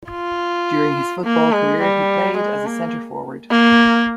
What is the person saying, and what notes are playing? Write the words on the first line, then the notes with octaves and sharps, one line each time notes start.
During his football career, he played as a center-forward.
F4
A#3
G#3
G3
G#3
A#3
A#3